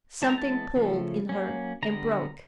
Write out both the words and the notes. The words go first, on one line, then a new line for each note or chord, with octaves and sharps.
Something pulled in her--and broke.
E3 G#3 B3 A5
A#5
A5
C#3 F3 A3
F#3 A#3 C#4
D3 G3 B3 A#5